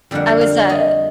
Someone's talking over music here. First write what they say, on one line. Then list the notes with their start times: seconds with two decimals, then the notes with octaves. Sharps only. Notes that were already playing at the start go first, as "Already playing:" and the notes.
I was, uh
0.11 F2 D3 G3 A#3 D4 F#5
0.41 F5
0.69 D#5